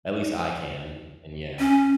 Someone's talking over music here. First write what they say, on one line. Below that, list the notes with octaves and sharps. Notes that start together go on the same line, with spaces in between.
at least I can, and yeah.
C#4